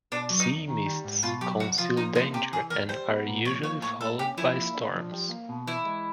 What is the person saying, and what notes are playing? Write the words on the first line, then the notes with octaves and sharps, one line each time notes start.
Sea mists conceal danger and are usually followed by storms.
B2 D4
F#3
D#4
E2
D#3
G3
G#2
B2 F4
F#3 G4
C2 F#4
F3 F4
A#3 D#4
D3 D#4
C3 G4
E3 G#4
E2 A#4
G3 C5
B3
A#2
F3 C#5
A#3 C#5
A2 C#5
A#3 A4
C#4 G4
F3 E4
A#3
D4
F3
G3
A#3
B2
E3 E4
G#3